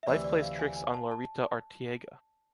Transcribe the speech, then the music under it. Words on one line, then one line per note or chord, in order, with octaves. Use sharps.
Life plays tricks on Laurita Arteaga.
E5
D2 C3 E3 A3 D5
D5
F5
G#5
G#5
A5
A5